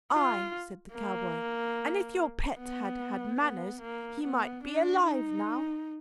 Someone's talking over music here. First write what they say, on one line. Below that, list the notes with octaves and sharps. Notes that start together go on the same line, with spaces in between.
"I," said the cowboy; "and if your pet had had manners, he might be alive now."
F4
A#3
B3
B3
A#3
B3
D4
D#4